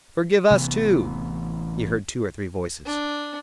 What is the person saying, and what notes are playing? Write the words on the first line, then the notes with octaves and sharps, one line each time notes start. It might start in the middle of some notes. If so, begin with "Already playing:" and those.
"Forgive us too!" he heard two or three voices.
A1 C3 E3 B3
D4